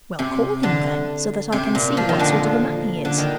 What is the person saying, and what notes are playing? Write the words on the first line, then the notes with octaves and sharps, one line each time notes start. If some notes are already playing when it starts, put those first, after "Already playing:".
'Well, call him then, so that I can see what sort of a man he is.'
C3
D3
C3
A#2
F3
D#3
D3 F3
D3
D#3